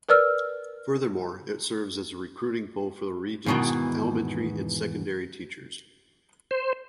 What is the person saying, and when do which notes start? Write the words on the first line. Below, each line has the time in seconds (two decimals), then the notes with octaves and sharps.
Furthermore, it serves as a recruiting pool for the region's elementary and secondary teachers.
0.09 A#4 B4 D5 E6 F6
3.46 E2 G#2 B2 D#3 E3
6.51 C5